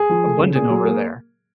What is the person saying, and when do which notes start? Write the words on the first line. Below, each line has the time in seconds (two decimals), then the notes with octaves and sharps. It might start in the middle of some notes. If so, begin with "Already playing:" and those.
abundant over there.
Already playing: G#4
0.09 F3
0.24 A3
0.39 C#3
0.55 A#2 G#4
0.70 F#3
0.85 A#3